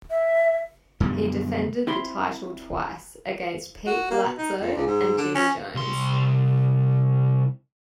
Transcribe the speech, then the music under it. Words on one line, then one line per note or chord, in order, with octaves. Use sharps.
He defended the title twice, against Pete Latzo and Jimmy Jones.
E5
F#2 B2 D3 G3
C4 E4 B5 C6
F#4
A#3
B2
D#4
F2
C#2
G#2
D3
C#4
C2 C6